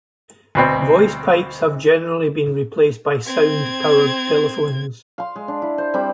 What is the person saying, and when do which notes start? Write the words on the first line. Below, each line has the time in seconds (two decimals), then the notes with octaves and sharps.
Voice pipes have generally been replaced by sound powered telephones.
0.55 D2 B2 C4
3.26 C4 G#6
5.18 F5 C6
5.36 G#3
5.48 D4
5.62 E4
5.78 C5
5.94 G3 C4 B5 D6